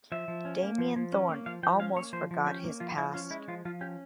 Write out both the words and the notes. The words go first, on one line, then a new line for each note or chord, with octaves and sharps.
Damien Thorn almost forgot his past.
F3 E5
F3
C#4
A#3
F3
F3
C#4
A#3
F3 F5
F3 G5
C#4 F5
A#3 C#5
F3 C5
F3
C#4 G4
A#3
F3 F4
F3 E4
C#4 F4
G#3 E4
F3 F4
F3 F4
C#4 G4